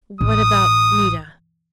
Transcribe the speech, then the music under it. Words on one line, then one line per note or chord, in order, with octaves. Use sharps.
"What about--Nita?"
A1 D#6